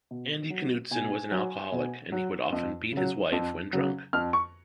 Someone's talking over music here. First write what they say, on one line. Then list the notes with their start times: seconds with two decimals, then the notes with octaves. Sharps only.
Andy Knutson was an alcoholic and he would often beat his wife when drunk.
0.11 B2
0.50 F#3
0.91 B2 G#5
1.31 F#3
1.72 B2
2.12 F#3
2.53 F2
2.92 C#3 F#3
3.32 F2
3.73 C#3 F#3
4.13 F2 F6
4.33 C#6